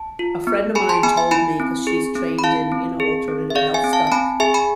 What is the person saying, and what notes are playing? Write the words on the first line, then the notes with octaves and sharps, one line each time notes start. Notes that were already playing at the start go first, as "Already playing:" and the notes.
a friend of mine told me- 'cause she's trained in, you know, alternative health stuff-
Already playing: A5
F4
B3
G#4 G#5 B5
A5 C6
B3 G#5 B5
E5 G#5
E4 G#5 B5
C4
G#4
C4
B5
E4 F5 A5
C4
G#4
C4
E5
G#4 D5 F5
E5 G#5
C4
F5 A5
A5
C4 G#5 B5
G#4 E5 G#5
G#5 B5